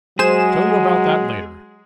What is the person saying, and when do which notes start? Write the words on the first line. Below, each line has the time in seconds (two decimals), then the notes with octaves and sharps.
"Tell you about that later."
0.19 F#3 G#3 G#4 C5 G#5 E7